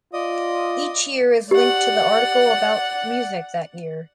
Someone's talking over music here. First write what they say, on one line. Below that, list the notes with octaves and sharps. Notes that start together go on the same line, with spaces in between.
Each year is linked to the article about music that year.
F4 D5 D#5 D#6
G4 D5 F#5